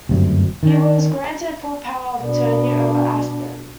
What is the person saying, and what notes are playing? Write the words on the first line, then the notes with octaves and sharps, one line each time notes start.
He was granted full power of attorney over Aspirin.
F#1 D2 G2 C3
D#3
B2 D4